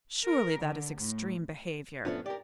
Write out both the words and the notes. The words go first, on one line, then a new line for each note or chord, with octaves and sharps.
Surely that is extreme behaviour.'
A#4
D3
A2
G2 A#2 F3 A3 B3 C#4 D4
G4 A#4 D5